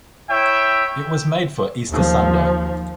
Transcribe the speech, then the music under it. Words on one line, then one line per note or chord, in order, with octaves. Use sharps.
It was made for Easter Sunday.
E4 C#5 E5 G5
D#2 F3